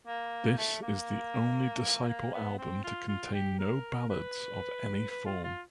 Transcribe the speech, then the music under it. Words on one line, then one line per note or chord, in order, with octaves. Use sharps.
This is the only Disciple album to contain no Ballads of any form.
A#3
A3
A#3
A#3
B3
C4
F4
F4
G4
A#4
B4
B4
F4
F4